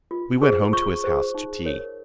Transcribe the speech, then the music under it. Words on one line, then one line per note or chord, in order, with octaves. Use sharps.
We went home to his house to tea.
F4
G#4 C5
F4 C#6
G#4 C5
D#4
A#4 C#5